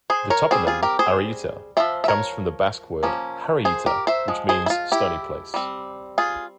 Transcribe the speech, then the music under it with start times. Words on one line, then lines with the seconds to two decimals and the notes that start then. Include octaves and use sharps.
The toponym "Arrieta" comes from the Basque word "harrieta", which means "stony place".
0.10 G#4 C5
0.30 A#4 C#5
0.51 G3 C4 G#4 C5
0.67 F4 G#4
0.83 G4 A#4
0.99 G#4 C5
1.77 F3 C4 C5 E5
2.04 E5
2.08 A#4 C#5
3.03 F3 A#3 C#4
3.65 G#4 C5
3.86 G4 A#4
4.07 C5 E5
4.28 F3 G#3
4.49 G#4 C5
4.66 E4
4.70 F4
4.92 E4 G4
5.54 G3 C4
6.18 F4 G#4